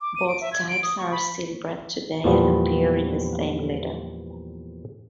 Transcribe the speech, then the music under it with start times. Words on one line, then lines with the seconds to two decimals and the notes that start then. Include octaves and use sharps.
Both types are still bred today and appear in the same litter.
0.01 D6
0.16 D#7
0.28 D7
0.41 E5
0.53 G#6
0.69 D7
0.83 D#6
0.98 C#6
1.11 B5
2.24 E2 A#2 F3 G3 B3